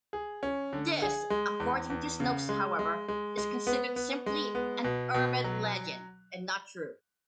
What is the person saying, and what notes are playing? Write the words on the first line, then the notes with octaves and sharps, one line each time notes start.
This, according to Snopes however, is considered simply an urban legend, and not true.
G#4
C#4
D3
G#4
G#3
E2
E2
C#3
G#3
G#3
G#3
G#3
B3
B3
G#3
B3
B2
B2
F#3